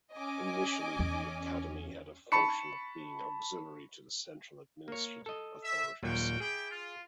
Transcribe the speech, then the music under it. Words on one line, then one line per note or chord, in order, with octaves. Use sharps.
Initially the Academy had a function of being auxiliary to the central administrative authorities.
C#4 D#5 G#5 D6
E2
A5 B5 C#6 C#7
A#3 C#5
A4 D#5
E5
D#2 A#2 F#3 F#4 F5 G5
E4 G4 G#4 G5
F4